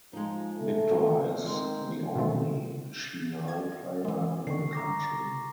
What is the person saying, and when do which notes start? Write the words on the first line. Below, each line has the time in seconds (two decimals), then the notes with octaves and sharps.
Victor is the only Shehnai player in the country.
0.13 F3 G#3 D#4
0.56 A3
1.46 D#3 G#3 C4
2.15 B2 D#3 A3 C4
3.48 G#6
4.05 E3 G#3
4.47 D3 D#3 C#6 C7
4.73 A#5 D6 A#6